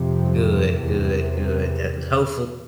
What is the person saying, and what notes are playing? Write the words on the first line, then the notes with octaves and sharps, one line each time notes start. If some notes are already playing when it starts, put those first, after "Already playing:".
Good, good, good, that hopeful
Already playing: F2 C3
E2 C3